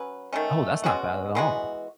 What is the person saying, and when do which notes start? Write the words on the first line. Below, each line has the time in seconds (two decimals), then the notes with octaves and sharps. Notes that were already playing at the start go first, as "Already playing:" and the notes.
Oh, that's not bad at all.
Already playing: F#3 C#4 B4
0.33 D#3 A3 C#4
0.84 B2 G#3 C#4 F#4
1.35 E3 G#3 B3 F#4